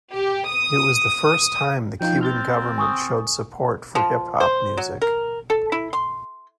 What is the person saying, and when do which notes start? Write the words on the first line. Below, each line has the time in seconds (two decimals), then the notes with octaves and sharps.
It was the first time the Cuban government showed support for hip hop music.
0.14 G4
0.49 D#6
2.01 F3 D#4 F4 G5
2.21 C4 F6 G6 A6
2.78 G#5 C#6 D#6
3.95 F3
4.40 C5
4.77 F#3
5.02 A#4
5.50 A4
5.72 E4
5.93 C6